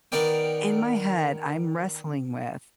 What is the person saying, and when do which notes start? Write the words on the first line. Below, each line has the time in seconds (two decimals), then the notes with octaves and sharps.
in my head, I'm wrestling with
0.12 D#3 B3 A#4 D5 G5